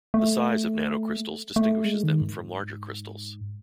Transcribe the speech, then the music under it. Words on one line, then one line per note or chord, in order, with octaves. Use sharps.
The size of nanocrystals distinguishes them from larger crystals.
A3
A3
G#3
D#3
G#2